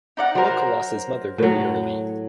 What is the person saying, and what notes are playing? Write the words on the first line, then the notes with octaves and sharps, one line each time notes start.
Boka lost his mother very early.
D#4 D5 F#5
F#3 A#4 C5
A2 F#3